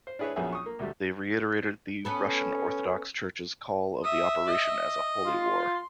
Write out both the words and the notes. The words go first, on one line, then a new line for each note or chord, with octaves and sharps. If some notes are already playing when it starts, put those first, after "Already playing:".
They reiterated the Russian Orthodox Church's call of the operation as a Holy War.
C5
D4 E4 G#4 B4 C#5
A#1 F#3 B3 C#4 G#4 E5
C#6 D#6
A#3
D2 C3 G3 A3
B3 C#4 A4 B4
E5 D#6
D#5
F4 C6